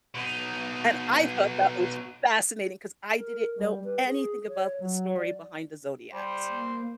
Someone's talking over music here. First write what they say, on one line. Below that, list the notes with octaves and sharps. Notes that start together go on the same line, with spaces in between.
And I thought that was fascinating 'cause I didn't know anything about the story behind the zodiacs,
B2 D#4
A#4
G3
B4
G#4
C#5
F#3
D5
G3 C5
A#3